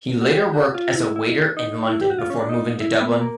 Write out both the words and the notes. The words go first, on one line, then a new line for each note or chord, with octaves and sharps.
He later worked as a waiter in London before moving to Dublin.
F#4
G4
F#4
F4
E4
E4
D#4
E4
G4
F#4
F4
C#4
D4
D#4
E4
B3
A#3